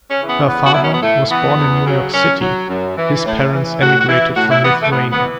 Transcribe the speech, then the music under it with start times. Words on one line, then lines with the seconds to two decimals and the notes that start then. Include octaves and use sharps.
Her father was born in New York City; his parents emigrated from Lithuania.
0.10 C#4
0.19 C#3 E3
0.28 B3
0.46 E2 B3
0.64 F#4
0.73 B2 F#3 E4
0.83 C#4
0.93 B3
1.02 A2 A3
1.30 E3 B3
1.58 E2
1.86 C#3 F#3
2.13 F#2 C#4
2.41 F#3
2.69 F#2
2.96 E3
3.25 A2
3.53 E3
3.80 A2 F#4
3.99 F#4
4.08 E3 E4
4.36 A2 F#4
4.50 E4
4.64 E3 B3
4.82 A3
4.91 A2 B3
5.11 B3
5.19 E3